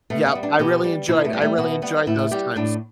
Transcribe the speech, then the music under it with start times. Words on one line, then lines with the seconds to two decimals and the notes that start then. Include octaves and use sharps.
Yep, I really enjoyed I really enjoyed those times,
0.10 B2 A3
0.27 B3
0.35 G3
0.43 D4
0.59 B2 G4
0.84 G3
1.09 B2 E4
1.25 A3
1.33 G3
1.42 A3
1.58 B2 B3
1.82 G3 B3
2.07 A2 E4
2.31 G3 G4
2.56 A2 D4